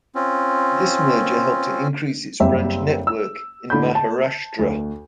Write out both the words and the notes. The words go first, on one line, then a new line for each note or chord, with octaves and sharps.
This merger helped it increase its branch network in Maharashtra.
C4 C#4 F4
F#1 G3 C4 E5
E6
A2 D3 B5 G6
A5
D2